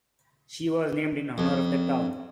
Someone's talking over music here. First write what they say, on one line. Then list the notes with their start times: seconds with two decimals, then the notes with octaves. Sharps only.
She was named in honour of the town.
1.38 F2